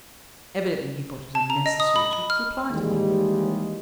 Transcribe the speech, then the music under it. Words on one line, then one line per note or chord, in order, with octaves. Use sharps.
Evidently he thought it unnecessary to reply to me.
A5
A#5
D#5
D#6
B5
B5
F6
D#2 E3 G3 G#3